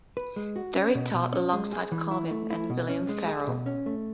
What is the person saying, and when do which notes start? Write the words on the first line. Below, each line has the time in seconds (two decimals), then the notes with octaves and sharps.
There he taught alongside Calvin and William Farel.
0.17 B4
0.36 G#3
0.56 F#4
0.76 C#4
0.95 B2
1.14 B2
1.33 C#4
1.53 G#3
1.73 G#4
1.92 E3
2.11 E4
2.31 A3
2.50 E4
2.70 B2
2.89 C#4
3.09 G#3
3.28 G#4
3.47 B2
3.66 C#4
3.86 A3